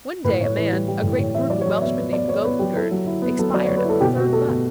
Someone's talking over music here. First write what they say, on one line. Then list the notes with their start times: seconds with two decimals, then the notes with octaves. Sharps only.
One day a man, a great brute of a Welshman named Gogangerdd, expired at the third butt.
0.24 A2 B4
0.41 A2 C#5
0.56 E3 B4
0.72 G3
0.88 G3
1.03 A2
1.19 A2 C#5
1.34 E3 E5
1.50 F#3 D5
1.61 C#5
1.66 F#3
1.72 D5
1.81 B3 E5
1.98 B3
2.13 B3 D5
2.28 B3 C#5
2.44 B3 B4
2.59 F#3 G4
2.76 E4 A4
2.91 F#3
3.06 E4
3.22 B3
3.39 F#3 A4
3.54 F#3 D5
3.65 F#3 C#5
3.77 B4
3.84 E4 A4
4.01 B2 G4
4.16 B2 F#4
4.33 A3 A4
4.48 B2